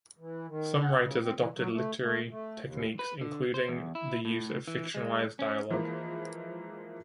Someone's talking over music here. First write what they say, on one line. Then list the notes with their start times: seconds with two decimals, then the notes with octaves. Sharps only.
Some writers adopted literary techniques, including the use of fictionalized dialogue.
0.19 E3
0.48 D#3
0.83 F#5
1.01 C#3
1.22 C4
1.37 E3
1.56 F#3
1.73 A3
2.03 A3
2.30 A3
2.61 D#2
2.99 B4
3.21 D3
3.54 C5
3.68 E2
3.95 E4
4.25 A2
4.68 E3
4.95 G#3
5.39 C#4
5.70 E3 F3 G#3 A#3 E4